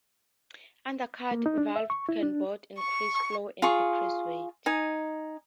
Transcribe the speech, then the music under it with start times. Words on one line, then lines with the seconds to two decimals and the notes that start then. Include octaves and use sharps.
Undercut valves can both increase flow and decrease weight.
1.31 A#3
1.46 D#4
1.58 D4
1.76 E5
1.90 C#6
2.09 E4
2.23 D4
2.79 C#6
3.62 F4 G#4 C#6
4.66 D#4 G#5